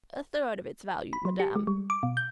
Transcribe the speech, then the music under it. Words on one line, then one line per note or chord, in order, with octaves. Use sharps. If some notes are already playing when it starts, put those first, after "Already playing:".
"A third of its value, madame."
B5
F#3
G4
G#3
G3
D6
B2
G6